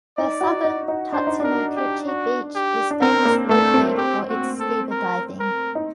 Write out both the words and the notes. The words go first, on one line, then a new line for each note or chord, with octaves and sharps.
The southern Tatsunokuchi beach is famous locally for its scuba diving.
D#4 D5
F#4
D#4
D#4
D4 C5
D#4
D4 A#4
G4
F#4
G4
D4
C4 A#4
A#3
A3 A4
C4
G4
F#4
A4
A#4
A#4
D#4